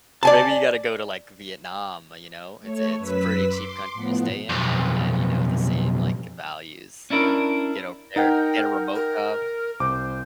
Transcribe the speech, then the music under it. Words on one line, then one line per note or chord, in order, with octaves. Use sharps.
Maybe you gotta go to, like, Vietnam, uh, you know, it's it's pretty cheap country to stay in and and, you know, the same, like, values, you know? Get over there, get a remote job.
D5 G#5 A5
A3 C#5
F#2 B4 E6 B6
C6 D6
A2 F3 B3
B1 F2
C#4 D4 E4 A#4
D#4 A#4 F#5 G5
A#4
C2 C5 D6